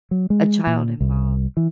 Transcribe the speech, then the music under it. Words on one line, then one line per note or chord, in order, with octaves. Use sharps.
a child involved.
F#3
G#3
A#2
C2
E3